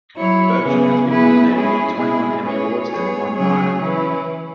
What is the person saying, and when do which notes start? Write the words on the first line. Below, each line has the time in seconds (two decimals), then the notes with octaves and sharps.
Bertram has been nominated for twenty-one Emmy awards and won nine.
0.16 F#3 E4 C#5
0.61 C#3 E3 B3 G#4
1.07 B3 E4 G#4 B4
1.52 G#3 C#4 E4 G#4
1.97 B2 G#3 E4 G#4
2.43 E3 C#4 G#4 C#5
2.88 B3 G#4 C#5
3.34 C#3 F#3 C#4 G#4 C#5
3.79 E3 C#4 E4 B4